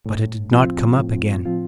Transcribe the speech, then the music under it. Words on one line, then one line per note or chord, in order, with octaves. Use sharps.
But it did not come up again.
A2
F3 C4 F4
A2
F3 C4 F4